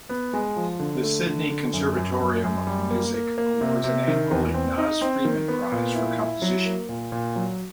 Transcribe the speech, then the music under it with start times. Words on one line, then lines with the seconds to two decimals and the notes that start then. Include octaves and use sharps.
The Sydney Conservatorium of Music awards an annual Ignaz Friedman Prize for composition.
0.09 B3
0.33 G#3
0.56 F3
0.80 D3
1.03 A3
1.27 D3
1.50 D3
1.73 F#2
1.97 F#2
2.20 F#2
2.44 F#2
2.67 G3
2.91 A#3
3.14 A#3
3.38 A#3
3.61 C3
3.84 C3
4.08 D#3
4.31 E2
4.54 C4
4.78 D#4
5.01 C4
5.25 D#3
5.48 B3
5.72 A#2
5.95 E4
6.18 E4
6.42 F#3
6.65 A#3
6.89 A#2
7.12 A#2
7.36 F#3